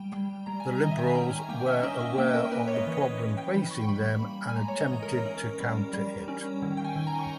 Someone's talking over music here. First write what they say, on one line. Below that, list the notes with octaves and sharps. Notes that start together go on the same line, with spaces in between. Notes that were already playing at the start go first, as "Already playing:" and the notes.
The Liberals were aware of the problem facing them, and attempted to counter it.
Already playing: G3 G5
G3
G3 A#5
G#5
A#5
D#3 D#5
E5
G5
G#5
C#4 A#5
G#5
A#3 G5
E5
C#4 D#5
E5
A#3 G5
A#4
C#4 B4
C#5
D#5
E3
D#5
E3
G5
E3 B5
C#6
G3 B5
A#3
G#5
G#3 A#5
C#5
D#5
E3
A#4
C#4
G3
G3
C#4
D#3
G5
G#5
D#3
A#5
C#6